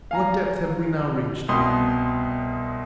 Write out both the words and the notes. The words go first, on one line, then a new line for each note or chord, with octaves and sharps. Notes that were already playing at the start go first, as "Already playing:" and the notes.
"What depth have we now reached?"
F5 G#5 A#5
C2 B2 C6 D#6